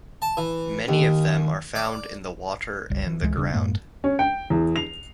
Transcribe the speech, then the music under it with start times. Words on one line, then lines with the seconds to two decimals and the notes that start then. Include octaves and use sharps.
Many of them are found in the water and the ground.
0.22 A5
0.37 E3
0.88 D#2
1.75 D5
2.90 F#1 C2 G3
3.07 E3
3.21 D1 C#2 E3 G#3
3.36 E1 C#3 G3 D4
3.54 F#2 A2 G#3 A#3
4.04 C#4
4.19 G5
4.50 E2
4.76 F7